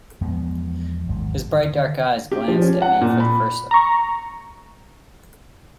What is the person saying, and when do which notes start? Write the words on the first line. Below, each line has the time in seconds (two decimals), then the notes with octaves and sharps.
His bright dark eyes glanced at me for the first time.
0.21 E2 F3 G#3 B3
1.08 G#1 D#2 G#2 F#3
1.51 D3 D#3
2.32 G4
2.48 F3
2.62 C#4
2.82 F#5
3.01 A#2
3.20 B5
3.71 A#5 C#6